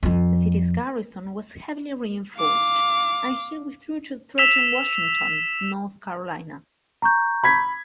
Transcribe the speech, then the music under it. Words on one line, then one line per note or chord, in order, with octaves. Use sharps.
The city's garrison was heavily reinforced, and Hill withdrew to threaten Washington, North Carolina.
F2 F3
F5 D6
E6 B6 E7 F7
A#5 C#6 G6
B5 G#6 B6